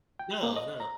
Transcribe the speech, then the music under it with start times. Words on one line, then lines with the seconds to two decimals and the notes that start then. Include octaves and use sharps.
No, no.
0.19 G5
0.43 A#3
0.56 D#5
0.80 A#5